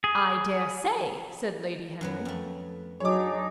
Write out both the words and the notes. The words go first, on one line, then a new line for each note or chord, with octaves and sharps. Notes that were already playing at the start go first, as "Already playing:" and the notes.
"I dare say," said Lady Henry.
G#4
F#2 F#3 B3
F2 A3
F#3 D4 D#4 G#4 C#5 D6